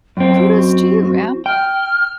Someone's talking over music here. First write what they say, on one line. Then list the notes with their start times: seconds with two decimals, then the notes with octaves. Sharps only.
Kudos to you man.
0.17 F#2 C4 G5
0.46 F#4
1.46 G5 F6